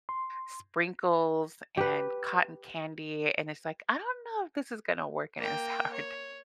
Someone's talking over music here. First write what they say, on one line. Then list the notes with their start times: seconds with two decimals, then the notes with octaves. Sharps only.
sprinkles, and cotton candy, and it's like, "I don't know if this is gonna work in a sourdough.“
0.09 C6
1.77 G4 B4
5.38 A#3 G5
5.93 C#5